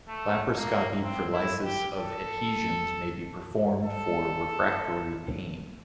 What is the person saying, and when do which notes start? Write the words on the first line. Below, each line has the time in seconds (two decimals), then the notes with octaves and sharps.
Laparoscopy for lysis of adhesions may be performed for refractory pain.
0.08 A3
0.55 A#3
1.02 C4
1.33 E4
1.64 G4
1.95 A4
3.83 A4